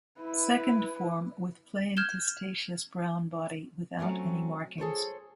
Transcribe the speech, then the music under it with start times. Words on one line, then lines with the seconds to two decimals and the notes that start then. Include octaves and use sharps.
Second form with plain testaceous brown body without any markings.
0.21 E4 B4
1.97 F6 G6 G#6 E7 G7
3.99 F#3 A3 C4 C#4
4.78 G#4 A4 C5 C#5